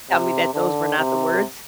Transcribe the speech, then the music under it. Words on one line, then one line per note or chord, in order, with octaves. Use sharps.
tell me that those were not the words.
C3
D3
C3